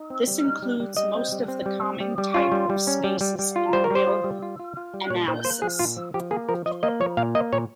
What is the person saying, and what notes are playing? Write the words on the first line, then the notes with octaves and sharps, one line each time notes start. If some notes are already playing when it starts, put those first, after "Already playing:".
This includes most of the common type of spaces in real analysis.
Already playing: D#4
C4
G3
D#4
G3
G3
G3 D#5
C4
G3
C4
G3
C4
G3
G3
C#4 F4
G3
G3
C#4
G3
G3
G3
F4
G3 C5
A#4
G3 C5
F4
G3
F4
F4
F4
G3
A#2 C#5
A#2 C5
A#3 C5
F3 G#4
A#2 F4
F3
F3 G4
A#3 G#4
F3 A#4
F3 D#5
A#3 D#5
F3 C#5
A#2 F5
A#3 D#5
A#2 C#5